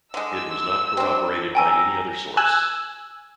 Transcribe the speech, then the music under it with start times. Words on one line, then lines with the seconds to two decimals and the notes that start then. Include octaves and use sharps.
It was not corroborated by any other source.
0.14 D3 G#3 E6
0.97 C4 D4
1.55 G5 G#5 A#5 E6
2.37 G#5 E6 F#6